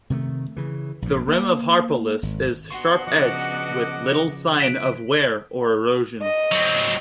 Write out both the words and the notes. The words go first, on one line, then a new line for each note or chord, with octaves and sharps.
The rim of Harpalus is sharp-edged with little sign of wear or erosion.
C3 D#3 G#3 A3
C#3 E3
A#1 G2
A#3
G#1
B3 D4 F#4 C6 C#6
C#3 F3 D#5 F#5 D6
F#6 B6 D7
D#5
F#3 C4